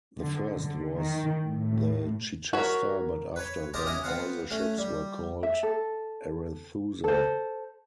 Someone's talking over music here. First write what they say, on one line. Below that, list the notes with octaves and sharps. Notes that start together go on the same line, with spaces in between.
The first was the Chichester, but after then all the ships were called Arethusa.
D3
D3
D#3
A2
F#4 A#4 C#5 B6
B4 C#5
G4 A#4 C5 D#5 F5 A5
C#4 E4 F#4 D#5 D#6
B3 C4 F4 F5 F#5
A3 C#4 F#4
G3
E5
A4
A4 C5